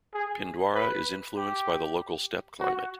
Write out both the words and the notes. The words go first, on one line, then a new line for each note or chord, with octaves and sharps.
Pindwara is influenced by the local steppe climate.
G#4
B4
G4
F#4